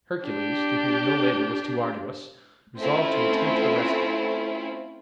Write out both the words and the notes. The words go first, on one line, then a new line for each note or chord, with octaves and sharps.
Hercules, to whom no labor was too arduous, resolved to attempt her rescue.
D4 G4
A3 C4 C#4 E4 F4